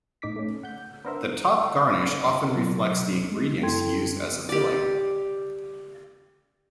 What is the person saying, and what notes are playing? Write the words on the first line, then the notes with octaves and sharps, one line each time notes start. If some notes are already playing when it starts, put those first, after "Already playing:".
The top garnish often reflects the ingredients used as a filling.
A2 D#4 D6 B6
A3 C#4
F#5 G6
B3 D4 A#4 C5 E5
B2 F#3
G#3
F#2 E4 A4 G5 C6 G#6
G4 D5